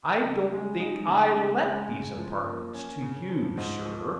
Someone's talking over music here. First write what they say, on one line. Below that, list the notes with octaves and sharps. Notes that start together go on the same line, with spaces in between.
I don't think I let these apartments to you, Sir.'
C#3
G#3
D#4
C#3
C#3
G#3
C#3
F3
A#3
C#4
C#3
F3
G#2
F3